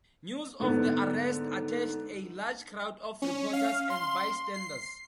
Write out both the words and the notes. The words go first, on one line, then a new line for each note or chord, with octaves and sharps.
News of the arrest attracted a large crowd of reporters and bystanders.
G#2 D3 B3
C#4
F5
C6
C7